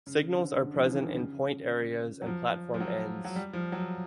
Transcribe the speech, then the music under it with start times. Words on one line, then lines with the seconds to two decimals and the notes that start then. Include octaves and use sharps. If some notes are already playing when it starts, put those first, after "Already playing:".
Signals are present in point areas and platform ends.
0.07 C#3
0.34 D3
0.61 D3
0.74 F3
0.85 E3
0.95 D#3
1.06 D3
1.16 C#3
2.22 F#3
2.26 F3
2.74 F3
2.80 F#3
3.25 F#3
3.36 G3
3.53 F3
3.72 F#3